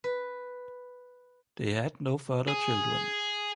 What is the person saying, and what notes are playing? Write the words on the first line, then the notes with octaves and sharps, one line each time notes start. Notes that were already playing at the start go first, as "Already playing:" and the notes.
They had no further children.
B4
G#4